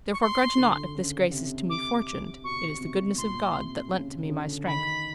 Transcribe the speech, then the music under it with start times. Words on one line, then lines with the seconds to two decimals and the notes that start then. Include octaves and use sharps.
Therefore grudge not if this grace is to me fortuned, it is the goodness of God that lent to me my strength.
0.13 C#6
0.21 C6
0.57 D3
0.95 C#3
1.32 C3
1.69 D6
2.44 B2 C#6
2.74 C3
2.80 B2
3.18 A#2 C6
3.55 C3
3.92 C#3
4.25 C#3
4.29 D3
4.67 D#3 B5